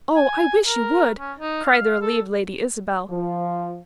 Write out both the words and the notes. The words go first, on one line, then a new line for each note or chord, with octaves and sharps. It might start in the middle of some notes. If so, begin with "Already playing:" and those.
"Oh, I wish you would!" cried the relieved Lady Isabel.
G#5
A#4
C#4
D#4
F5
A4
F3